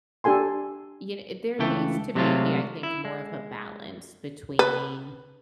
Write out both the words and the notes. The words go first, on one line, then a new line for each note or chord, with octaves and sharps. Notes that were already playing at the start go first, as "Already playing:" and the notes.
You kn there needs to be, I think, more of a balance between
D4 G4 A4 G#5 C6
C#2 E3 A3 G5
C3 F#3 G#3 A3 C4 F4
E4
G#3
B4